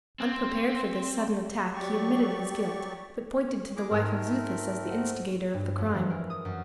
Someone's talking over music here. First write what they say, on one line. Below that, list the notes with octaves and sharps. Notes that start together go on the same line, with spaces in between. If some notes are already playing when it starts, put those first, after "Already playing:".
Unprepared for this sudden attack he admitted his guilt, but pointed to the wife of Xuthus as the instigator of the crime.
C4
F#3 G4 D5 C#6
E4 G#4 A#4 D6
G#2 A3 C4 A#4
C5 D#5 F#5
G2
F2
E3
A#4
D#6
F#2